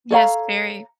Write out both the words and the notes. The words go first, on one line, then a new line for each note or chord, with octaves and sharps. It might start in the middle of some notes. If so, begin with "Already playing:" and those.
Yes, very.
A4 C#5 F5 A#5